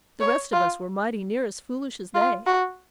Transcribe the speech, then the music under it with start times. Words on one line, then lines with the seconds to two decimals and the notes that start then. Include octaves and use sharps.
The rest of us were mighty near as foolish as they.
0.21 C#5
0.53 F4
2.14 F4
2.47 F#4